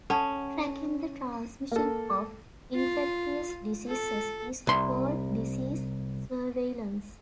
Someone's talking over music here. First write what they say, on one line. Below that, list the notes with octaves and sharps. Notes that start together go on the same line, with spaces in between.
Tracking the transmission of infectious diseases is called disease surveillance.
C#4 A4 F#5 A5
A#3 A4
F4
A4
C2 C6